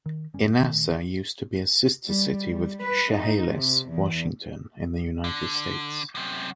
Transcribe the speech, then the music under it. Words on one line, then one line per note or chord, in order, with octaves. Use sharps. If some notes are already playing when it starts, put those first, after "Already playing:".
Inasa used to be a sister city with Chehalis, Washington, in the United States.
D#3
F#1 G3 C#4
A#2 D#3 A3
G3
G3
B4
D#4
C3
E2
D3
F#2 C3